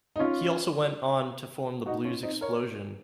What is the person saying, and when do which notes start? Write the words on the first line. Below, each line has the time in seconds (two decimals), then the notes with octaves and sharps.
He also went on to form the Blues Explosion.
0.16 D#4
0.19 C#4 F4
1.86 D#4 F#4
2.05 C#4 F4
2.23 C4 D#4
2.41 A#4 C#5